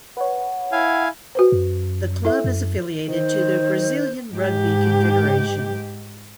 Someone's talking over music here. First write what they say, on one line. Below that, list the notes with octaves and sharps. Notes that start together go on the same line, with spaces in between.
The Club is affiliated to the Brazilian Rugby Confederation.
B4 C#5 F#5
E4 F5 G#5
F#4 B4 C5
F#2
E4 A4 E5
F#2
D#3 C5
G#2 G4